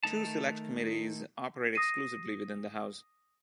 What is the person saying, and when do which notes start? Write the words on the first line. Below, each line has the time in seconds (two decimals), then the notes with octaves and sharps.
Two Select Committees operate exclusively within the House.
0.03 D#3 A3 D#4 A5
1.75 D#6 A#6 C7 D#7